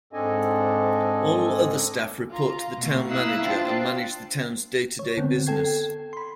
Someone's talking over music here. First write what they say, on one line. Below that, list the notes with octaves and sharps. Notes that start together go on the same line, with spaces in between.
All other staff report to the town manager and manage the town's day-to-day business.
G#2 C4 D4 A4 D#5 G#5
F4 A#5
B2 A3
A#3 E4 F5 D#6 E6 F#6
D4 F4 C5 F5 G5 A5
C#5
D3 B3 C4
A4 G5 G#6 C7
B5 C6